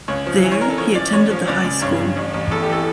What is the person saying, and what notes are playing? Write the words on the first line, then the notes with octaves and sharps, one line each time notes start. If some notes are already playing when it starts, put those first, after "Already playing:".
There he attended the high school.
C#2 C#5
F3
E3
C#5
A1 A#4
A4
F3 C#5
C#4 D5
A1 C#5
F3
C#2 D5
C#2
G2 C#5
G2
A1
A1
E2 A4
G4
E3 A4